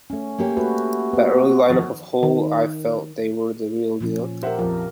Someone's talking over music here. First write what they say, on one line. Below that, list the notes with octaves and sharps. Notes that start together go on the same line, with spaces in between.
That early lineup of Hole-I felt they were the real deal.
A3 C#4
A#3 G4 C#5
A3 F#4 B4
B3 F#4
F2 D#3 F3
D#3
A#2 F3 C#4
G4 A#4 C5 E5 F#5
A#1 F2 A#4